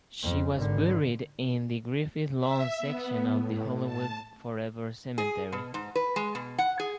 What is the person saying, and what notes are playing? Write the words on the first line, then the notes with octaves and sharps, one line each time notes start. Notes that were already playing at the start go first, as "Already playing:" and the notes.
She was buried in the Griffith Lawn section of the Hollywood Forever Cemetery.
F2
G#1 D3
E5
B3
A2
A5
G#4
B2
G#2
B4
G#3
B2
F#5
G#4